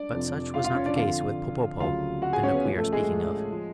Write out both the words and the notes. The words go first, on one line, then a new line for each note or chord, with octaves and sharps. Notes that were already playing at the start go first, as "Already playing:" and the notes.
But such was not the case with Popopo, the knook we are speaking of.
Already playing: D4 D5
F1 F2 F3
F4 F5
F4 F5
C#4 C#5
D4 D5
F2 D3 F3 F4 F5
D2 C#3 F#3 F4 F5
F#4 F#5
G#4 G#5
C#4 C#5
B3 B4
A1 A2 F3
A3 A4
G#3 G#4
F3